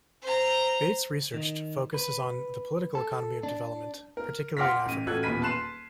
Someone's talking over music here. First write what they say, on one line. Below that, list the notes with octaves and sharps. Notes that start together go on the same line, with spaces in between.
Bates's research focuses on the political economy of development, particularly in Africa.
C5 A#5
D#3
B4
A4
D4
A#4
F#5 C6 D6 F6 A#6 B6
A1 D#7
A1 F#4 A4 F#6 G#6
D#1 E2 B5 B6 D#7
A5 C6 F#6 C7 E7